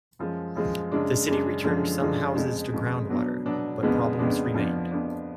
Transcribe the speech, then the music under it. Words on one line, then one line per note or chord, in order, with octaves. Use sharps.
The city returned some houses to ground water, but problems remained.
F#2 F3 G#3
F#2 F3 G#3
F#2 C#3 G#3 D4
F#2 C#3 G#3 D4
F#2 D3 F3 G#3 D4
F#2 D3 F3 G#3 D4
F2 C#3 G#3
F2 C#3 G#3
B2 F#3 B3 D4
B2 F#3 B3 D4
F2 C#3 G#3 B3 D4
F2 C#3 G#3 B3 D4
F2 F3 B3 D4
F2 F3 B3 D4